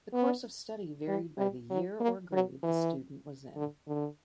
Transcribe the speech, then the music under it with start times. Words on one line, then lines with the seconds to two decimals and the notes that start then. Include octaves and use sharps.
The course of study varied by the year or grade the student was in.
0.13 B3
1.07 G3
1.38 G3
1.70 F#3
2.00 A#3
2.32 F#3
2.63 E3
3.56 D3
3.88 D3